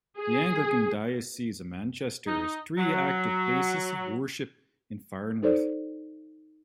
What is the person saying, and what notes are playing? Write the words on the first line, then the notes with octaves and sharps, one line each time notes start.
The Anglican Diocese of Manchester has three active places of worship in Farnworth.
G#4
D#4
F#3
D#4 A4 C5 D5